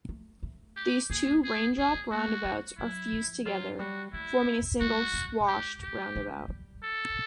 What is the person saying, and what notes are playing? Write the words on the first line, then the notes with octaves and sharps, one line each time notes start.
These two raindrop roundabouts are fused together, forming a single "squashed" roundabout.
A3
A3
G4
A#3 G#4
G#4
B3 G#4
B3
A#3 F#4
G#3
G3
F#3 E4
F3
F#3 F4
G3 F#4
A3 E4
G#3 F#4
G#3
G4
G4
G#3
G3
A4